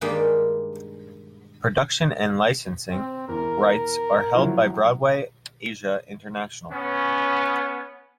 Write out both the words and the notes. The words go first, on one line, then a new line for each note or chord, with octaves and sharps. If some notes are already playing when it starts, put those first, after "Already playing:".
Production and licensing rights are held by Broadway Asia International.
G2 D#3 G3 G#3 A#3 G5
C4
E2 A#4
F3 F#3 E4
B3 C#4